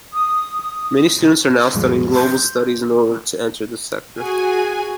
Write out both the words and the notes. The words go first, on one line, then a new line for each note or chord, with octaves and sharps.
Many students are now studying global studies in order to enter this sector.
D#6
C#2 F#2 A#2 F3 G3 G#3
C6 G6
F#4 G#4 G#5